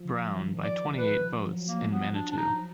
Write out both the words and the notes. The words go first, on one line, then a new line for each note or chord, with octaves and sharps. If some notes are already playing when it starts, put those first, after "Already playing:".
Brown by twenty-eight votes in Manitou.
Already playing: F3
D#3
D5
F3 B4
F#3
A#3
B3
D4
D4
D#4